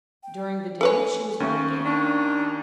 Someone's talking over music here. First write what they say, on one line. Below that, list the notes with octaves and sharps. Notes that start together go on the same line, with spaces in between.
During the dinner she was very gay.
G5
A4 B4 C#5 G#5
D#2 C#4 C#6
D#3 D4